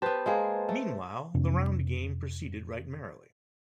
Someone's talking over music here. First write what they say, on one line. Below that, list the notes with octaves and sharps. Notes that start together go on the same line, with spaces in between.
Meanwhile the round game proceeded right merrily.
B3 G4 B4 C5 A5
G#3 A#3 G#4
A3
F2 C3 D4